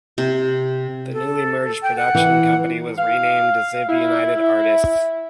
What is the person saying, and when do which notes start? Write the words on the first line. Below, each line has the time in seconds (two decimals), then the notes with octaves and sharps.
The newly merged production company was renamed Ziv-United Artists.
0.18 C3
1.13 A4
1.83 G5
1.96 F#5
2.15 E3
2.98 F5
3.88 E4